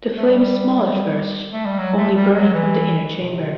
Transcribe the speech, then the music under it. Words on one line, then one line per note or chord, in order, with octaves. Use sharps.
The flame is small at first, only burning from the inner chamber.
A3
G3
A3
G3
F#3
A3
G3
F#3
E3
B2
C3